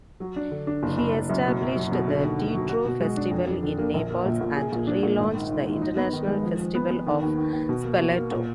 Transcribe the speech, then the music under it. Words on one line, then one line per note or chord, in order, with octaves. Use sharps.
He established the Teatro Festival in Naples and re-launched the International Festival of Spoleto.
F#3
D4
D3
D4
F#1
F#1
F#1
F#2
B2
F#3
F#3
B2
D3
D#2
D#2
F#3
F#4
B2
G#3
D4
F2
F2
D3
A#3
A#1
A#3
A#2
A#2
G#4
A#2
D4
A#2
G#1
D#3
G#2
G#2
D#4
B3
D#3
G#3
F3
F3
B3
B3
D#3
D#2
D#3
D#2
B2
A#3
B2
A#3
A#2